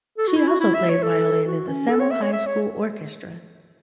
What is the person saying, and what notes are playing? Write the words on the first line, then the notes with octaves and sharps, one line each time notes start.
She also played violin in the Samohi school orchestra.
A4
F#4
E4
F#4
E4
E5
C#5
A4
F#4
C#4
A4
C#5
E5
C#5
E5
C#5